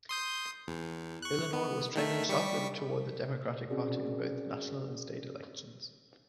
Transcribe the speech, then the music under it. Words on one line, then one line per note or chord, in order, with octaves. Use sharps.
Illinois was trending sharply toward the Democratic party in both national and state elections.
C6 D#6 G6
E2
C#6 F#6
B3
D#3 A3 E5
G3 C#6 B6
C4 C#4 F#4 G#4 A#4 D5